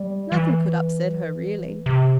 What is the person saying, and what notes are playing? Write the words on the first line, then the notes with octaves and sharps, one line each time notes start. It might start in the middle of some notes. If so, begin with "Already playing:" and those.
Nothing could upset her, really.
Already playing: G3
E3
C3